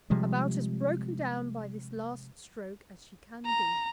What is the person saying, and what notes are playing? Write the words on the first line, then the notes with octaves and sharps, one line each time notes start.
'About as broken down by this last stroke as she can be.'
C3 F3 G3 G#3
A#5